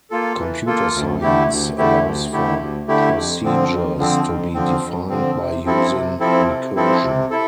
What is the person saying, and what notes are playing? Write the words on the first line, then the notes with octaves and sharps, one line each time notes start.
Computer science allows for procedures to be defined by using recursion.
A#3 F4 A4
E3
A#3 F4 A4
D2
D3 A3 E4 G4
D2
D3 A3 E4 G4
D2
D3 A3 E4 G4
D2
D3 A3 E4 G4
F2
D3 F3 C4
F2
D3 F3 C4
F2
D3 F3 C4
F2
D3 F3 C4
C3
F3 C4 E4 A4
C3
F3 C4 E4 A4
C3
F3 C4 E4 A4
C3
E4 A4